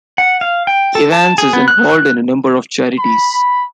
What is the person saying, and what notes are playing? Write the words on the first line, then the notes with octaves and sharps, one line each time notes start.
Evans is involved in a number of charities.
F#5
F5
G5
A4
A5
G#4
B3
F#6
F#6
B5